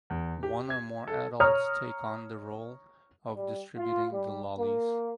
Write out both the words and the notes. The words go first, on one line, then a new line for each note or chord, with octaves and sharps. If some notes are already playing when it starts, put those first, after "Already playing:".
One or more adults take on the role of distributing the lollies.
E2
G4
G#6
A4
C#5 A#5 D#6 F6
G3
F4
G3
A#3